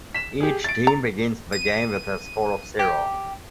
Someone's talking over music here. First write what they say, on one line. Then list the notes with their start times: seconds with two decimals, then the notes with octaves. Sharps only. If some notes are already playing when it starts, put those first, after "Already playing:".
Each team begins the game with a score of zero.
0.14 B6 E7
0.40 G4 G#4
0.64 A6 D7
0.87 A#5
1.52 D#7
2.79 G4